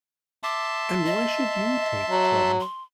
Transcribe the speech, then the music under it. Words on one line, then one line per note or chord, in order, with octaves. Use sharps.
And why should you take trouble?
E5 A5 C6 D6
D#5
F#3
C6